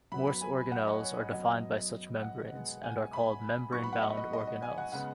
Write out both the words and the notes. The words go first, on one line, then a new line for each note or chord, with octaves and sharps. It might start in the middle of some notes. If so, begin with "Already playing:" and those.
Most organelles are defined by such membranes, and are called "membrane-bound" organelles.
F#2 F#3 B3 B5
B5
G#5
F#5
D#5
C#5
F#2 F#3 B3 D#5
F#5
B2 G#3 B3
G#5
B5
G#2 F#3 B3 C#6
B5
F#5
D#5
D#5
D#5
D#5
G#5
F#5
C#3 G#3 B3 F#5